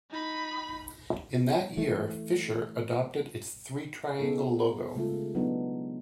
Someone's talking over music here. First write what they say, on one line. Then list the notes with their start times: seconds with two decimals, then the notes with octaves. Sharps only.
In that year, Fischer adopted its three-triangle logo.
0.10 D#4 B5
1.77 E3 A3
4.19 B3 D#4 G#4 A4
4.96 C#3 G#3 A3 F4 A4
5.35 F#3 B3 D4 D#4